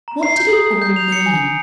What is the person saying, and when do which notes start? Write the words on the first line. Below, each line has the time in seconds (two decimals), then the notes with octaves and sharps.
What did it all mean?
0.08 A#5
0.23 C7
0.37 G6
0.53 D#6
0.68 G6
0.82 G6
0.96 F7
1.12 C#7
1.26 G#5
1.42 G#5